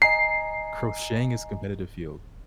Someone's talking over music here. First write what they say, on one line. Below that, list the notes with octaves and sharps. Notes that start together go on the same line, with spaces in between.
Crocheting is competitive field.
D1 D#5 G#5 A#5 C7